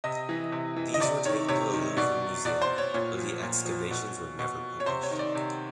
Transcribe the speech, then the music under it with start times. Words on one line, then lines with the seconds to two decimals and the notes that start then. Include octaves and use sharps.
These were taken to the Louvre Museum, but the excavations were never published.
0.04 C3 D#5
0.29 E3
0.52 C3
0.76 E3
0.94 D#5
1.00 C3 D5
1.25 D#3 C#5
1.48 C3 C#5
1.73 D#3
1.97 B2 D5
2.45 B2 D5
2.62 C5
2.78 C#5
2.94 A#2 C#5
3.18 F3
3.42 A#2
3.65 F3
3.91 B2
4.39 B2
4.80 C#5
4.86 C3 C5
5.03 C#5
5.11 D#3
5.19 D5
5.35 C3